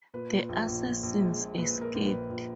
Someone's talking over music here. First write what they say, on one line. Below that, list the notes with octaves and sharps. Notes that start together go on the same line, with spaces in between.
The assassins escaped.
A#2 B4
A#2
A#1
A#1
A#1
A#1
G#3
A#2
A#2 B4
A#2
A#4
A#1
B4
A#1
A#1